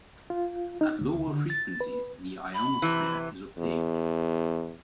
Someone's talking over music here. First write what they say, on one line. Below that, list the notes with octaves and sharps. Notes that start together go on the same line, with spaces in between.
At lower frequencies, the ionosphere is opaque.
F4
D#4
D2
D3
A6
B4
B5
C3 E3
E2